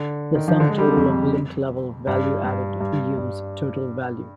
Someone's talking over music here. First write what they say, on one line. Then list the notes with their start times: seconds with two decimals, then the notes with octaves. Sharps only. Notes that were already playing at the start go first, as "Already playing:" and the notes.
The sum total of link-level value-added yields total value.
Already playing: D3
0.35 D#3
0.48 F3
0.60 D3
0.69 G#3
0.78 G3
0.88 C3
0.97 F2
2.07 G2
2.44 G2
2.81 G2
3.18 G2